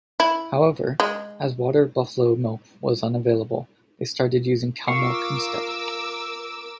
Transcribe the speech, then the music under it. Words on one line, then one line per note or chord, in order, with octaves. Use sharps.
However, as water buffallo milk was unavailable, they started using cow milk instead.
E4
G#3
F4 A#4 F5 C#6 D6 E6